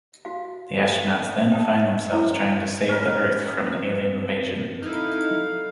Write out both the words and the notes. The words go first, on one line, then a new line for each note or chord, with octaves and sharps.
The astronauts then find themselves trying to save the Earth from an alien invasion.
F#4 F5
A4
G5 A5 D#6
C#4 E4
C#4 A#4 B4
C4
D#4 E4 A4 F5
F#3